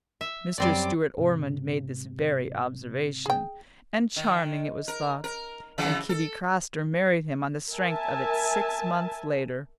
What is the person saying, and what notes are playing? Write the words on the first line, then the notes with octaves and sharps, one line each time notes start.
Mr. Stuart Ormond made this very observation; and charming it was thought; and Kitty Craster married him on the strength of it six months later.
E5
F#2 G3 C4 D5 D6
G#2 C3
G#4 G5
D#3
A#4
A#4
C#3 E3 F#3
A4
A#4 E5 G#5 A5